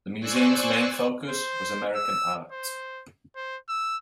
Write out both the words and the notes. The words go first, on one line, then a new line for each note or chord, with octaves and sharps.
The museum's main focus was American art.
C5 D5 G#5 C#6 E6 F#6
C5
E6
C5
C5
E6